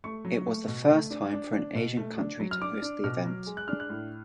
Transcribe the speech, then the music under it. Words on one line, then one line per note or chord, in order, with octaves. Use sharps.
It was the first time for an Asian country to host the event.
A3 C#6
F#3
A3
B2
A3
D4
D4
D4
B2
A3
D4
F#3
F6
D4 D6
D4
B2 F6
F#3
G#3
F#6
D4 F6
F#6
A2